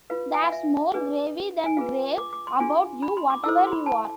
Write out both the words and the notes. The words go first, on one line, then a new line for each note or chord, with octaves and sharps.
There's more gravy than grave about you, whatever you are!
F4 B4 F5
G#5
F5
E5
D4 G#4 B4
G#5
F4 G#4 B4 F5
D6
D6
C6
D4 F4 G#4 G#5
B5
C6
D6
E4 A4 C5 E6
D6
C6
B5
A5